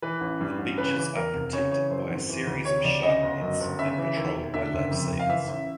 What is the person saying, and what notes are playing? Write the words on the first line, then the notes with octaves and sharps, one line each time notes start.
The beaches are protected by a series of shark nets and patrolled by lifesavers.
E3 B4
A1
G2
A1
C#3 B4
E3
E2 A#4
F1
C#3 C#5
E3 C#5
F#2 C5
G#1
E3
D2
C3 C#5
D2 D5
C#3 D#5
G1
F#2
G1
C#3 E5
E3
D#2
E1
D3 E5
F#1
F2
F#1
F5
E3 E5
A1